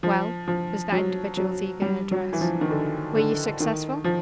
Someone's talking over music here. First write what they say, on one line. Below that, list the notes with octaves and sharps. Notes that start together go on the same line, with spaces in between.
"Well," was that individual's eager address, "were you successful?"
F3
F3
F#3
F#3
G3
F#3
E3
F3
D#3
D3
D3
D#3
F3